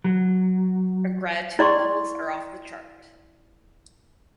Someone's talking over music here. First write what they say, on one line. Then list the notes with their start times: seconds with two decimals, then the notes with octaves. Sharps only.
Our gratitude levels are off the chart.
0.04 F#3
1.59 E4 D5 C6 C#6